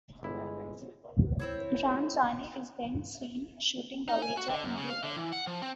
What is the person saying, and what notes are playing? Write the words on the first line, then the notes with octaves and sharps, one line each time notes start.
Ram Jaane is then seen shooting Baweja in the head.
G1 G#3 E4
C4 E4 C#5
D#4
G#5
F#4
D3
F#2
C#3
F5
D3
E3
F#5
F3
C4